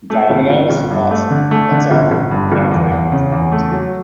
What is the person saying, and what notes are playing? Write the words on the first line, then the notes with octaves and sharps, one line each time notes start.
Dominoes? Awesome. That's awesome. Yeah, I played when I was a kid too.
A3
G1
G1
G1
G2
A3
D3
A3
D3
G1
G1
G2
G1
E2
E2
C#3
E2
A3
F#3